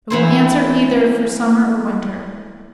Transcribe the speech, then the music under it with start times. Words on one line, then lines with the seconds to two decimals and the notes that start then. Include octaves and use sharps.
It will answer either for summer or winter.
0.10 E3 E4 C5